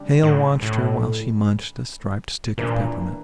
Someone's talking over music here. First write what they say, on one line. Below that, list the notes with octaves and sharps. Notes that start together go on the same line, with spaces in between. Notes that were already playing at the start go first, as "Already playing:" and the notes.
Hale watched her while she munched a striped stick of peppermint.
Already playing: C#3 G3 D4
A2
A2
A#2 E3 A#3 D4